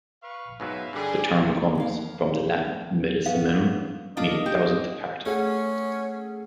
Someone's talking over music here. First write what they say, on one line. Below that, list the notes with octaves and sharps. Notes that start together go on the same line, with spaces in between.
The term comes from the Latin "millesimum", meaning "thousandth part".
B4 F5 C#6
G#2 B2 F#3 B4 E5 F5
G2 D3 G3 G#4
F2 A#3 F5
B3 C#4 F5
D4 F4 D#5
G4
A3 C#4 G#4 F#5